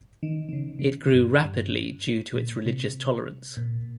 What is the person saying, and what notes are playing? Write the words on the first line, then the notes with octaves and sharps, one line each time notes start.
It grew rapidly due to its religious tolerance.
D#3
D#3
C#3
C#3
C3
G2
G2
A#2
C3
A#2